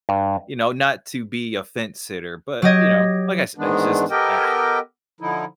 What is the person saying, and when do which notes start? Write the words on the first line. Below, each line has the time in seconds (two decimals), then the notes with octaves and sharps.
you know, not to be a fence-sitter, but, you know, like I sa it's just ugh,
0.09 G2
2.62 F#3 G4 D#5 G#6
3.57 G#2 D#3 E3 G#3 B3 D4
4.10 B3 G4 A4 A#4 D#5 G5
5.20 D3 F3 D#4 E4